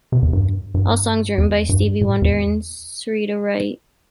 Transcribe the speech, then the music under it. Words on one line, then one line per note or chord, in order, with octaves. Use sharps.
All songs written by Stevie Wonder and Syreeta Wright.
C3
E2
G2
G2
E2
G2
A2
E2